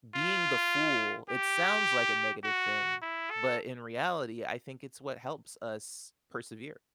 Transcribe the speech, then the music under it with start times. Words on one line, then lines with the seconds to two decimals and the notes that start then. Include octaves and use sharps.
being the fool, it sounds like a negative thing, but in reality I think it's what helps us persevere.
0.15 F4
1.30 G4
2.44 F#4
3.02 E4
3.30 A4